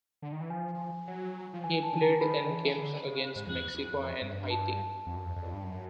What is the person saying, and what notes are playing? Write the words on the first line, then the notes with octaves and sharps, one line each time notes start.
He played in games against Mexico and Haiti.
D3
D#3
E3
F3 G#5
F#3
F3
E3 G#5
A5
D3
A#5
D#3 B5
D#3
E3
D3
C#3
G#2
F2
E2
E2
F#2
F2
G2
A5
F2
F#2
F2
F2
G2
F#2